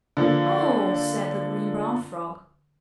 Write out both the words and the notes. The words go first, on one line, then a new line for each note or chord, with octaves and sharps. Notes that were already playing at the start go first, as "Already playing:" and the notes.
"Oh!" said the Green Brown Frog.
D3 F3 A#3